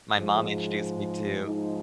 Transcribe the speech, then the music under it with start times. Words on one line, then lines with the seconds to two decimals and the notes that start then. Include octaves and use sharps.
my mom introduced me to.
0.16 G#2 F3 G#3
1.44 G#2 F3 G#3 D#4